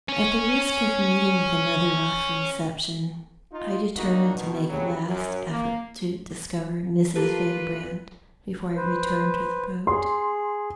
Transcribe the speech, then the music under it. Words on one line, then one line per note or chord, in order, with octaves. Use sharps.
At the risk of meeting with another rough reception, I determined to make a last effort to discover Mrs. Van Brandt before I returned to the boat.
C#4 C#5
D#4 F4
G2 D#3 A#3 D4 D#4 F#4
B2 D#3
C#3 F#3 G3
F#2
A#3
A#3 F4 G4 A4 B4
B4 C5
G#4 C6